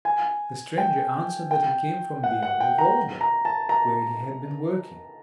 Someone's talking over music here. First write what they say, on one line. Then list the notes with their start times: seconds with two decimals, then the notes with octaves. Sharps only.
The stranger answered that he came from beyond the Volga, where he had been working.
0.05 G#5
0.78 G5
1.51 G5
2.24 F#5
2.42 F#5
2.60 G5
2.78 A#5
3.21 A#5
3.45 A5
3.69 A#5